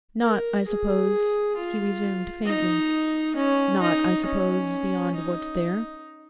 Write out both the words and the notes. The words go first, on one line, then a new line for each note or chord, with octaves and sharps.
'Not, I suppose,' he resumed faintly--'not, I suppose, beyond what's there.'
A#4
G#4
F4
D#4
C#4
D#4
C#4
D#4